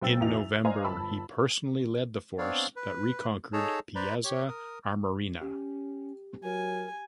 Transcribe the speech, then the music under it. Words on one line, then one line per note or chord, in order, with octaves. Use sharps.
In November he personally led the force that reconquered Piazza Armerina.
B1 C4 G5 E6 A6
E2 B2 D#4 F5 F7
E5
C5 D5 D#5 F5 G#5 A#5
G1 A5 B5 E6
B3 C4 D4 C#5 D5 F5
B4
D#4 G#4 A4 C#5 A5 A#5
B4 C5 D5 A#5 B5
G4 C#5
A#4 D#6
C#4 G4
F#3 A#4 G#5